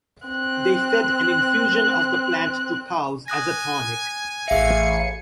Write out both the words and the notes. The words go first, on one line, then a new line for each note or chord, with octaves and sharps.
They fed an infusion of the plant to cows as a tonic.
C4 F#6
G#5 D#6 F#6 A#6
A1 G#4 E5 F5 C#7